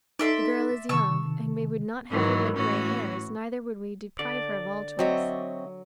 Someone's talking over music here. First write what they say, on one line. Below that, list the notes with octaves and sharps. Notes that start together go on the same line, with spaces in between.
The girl is young, and we would not have her wed grey hairs, neither would we deprive her of all choice.
D#4 A4 D5 E5 C6
C3 D#3 A5 C#6 E6
G#2 D#3 E3 F#3
A2 E3 C#4 F#4
D3 D5
F#3 C4 F#4 C#5 D#5 E5